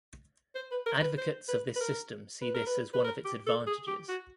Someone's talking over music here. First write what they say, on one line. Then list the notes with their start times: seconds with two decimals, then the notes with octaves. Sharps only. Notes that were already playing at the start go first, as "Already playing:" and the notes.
Advocates of this system see this as one of its advantages.
0.55 C5
0.71 B4
0.86 A#4
1.02 B4
1.18 C5
1.48 B4
1.76 B4
1.81 A#4
2.42 B4
2.54 A#4
2.66 B4
2.93 B4
3.04 A#4
3.25 G4
3.46 A4
3.67 G#4
3.87 G4
4.09 F#4